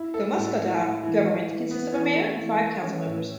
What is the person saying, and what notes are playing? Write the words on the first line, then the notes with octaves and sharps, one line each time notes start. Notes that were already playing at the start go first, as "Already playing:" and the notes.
The Muscotah government consists of a mayor and five council members.
Already playing: E4
A4
A2
A2
E4
E3
E3
E3
B3
E3
A3
E3
A3
C#4
A2